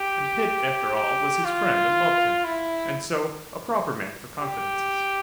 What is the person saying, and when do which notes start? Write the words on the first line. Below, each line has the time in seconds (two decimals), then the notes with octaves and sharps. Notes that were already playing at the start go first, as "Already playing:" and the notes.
And Pitt, after all, was his friend and loved him, and, so, a proper man for confidences.
Already playing: G4
0.95 G4
1.45 F4
2.44 E4
4.42 G4